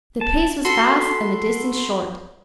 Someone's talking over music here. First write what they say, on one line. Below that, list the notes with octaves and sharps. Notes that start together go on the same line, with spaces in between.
The pace was fast and the distance short.
A5
F#4 A4 B5 C6